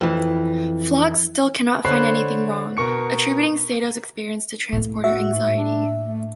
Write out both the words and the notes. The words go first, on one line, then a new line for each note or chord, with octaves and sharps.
Phlox still cannot find anything wrong, attributing Sato's experience to transporter anxiety.
F2 E3
D3 C5 C#5 B5 F#6 C7
B2 A#4 C#6 C#7
A2 A#3
F#4 E5
G#2
D4
A3